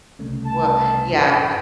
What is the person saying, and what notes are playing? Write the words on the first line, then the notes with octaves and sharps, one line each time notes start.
Well, yeah. Eh,
C2 C#3 A3
A5
F#2 A2